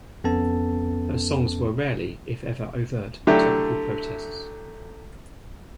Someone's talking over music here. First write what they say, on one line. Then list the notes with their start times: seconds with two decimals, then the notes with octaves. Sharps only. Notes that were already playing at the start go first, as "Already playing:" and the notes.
Her songs were rarely if ever overt, topical protests.
0.24 F2 B3 C#4 A4 A5
3.27 D3 F#3 A3 E4 G4 A4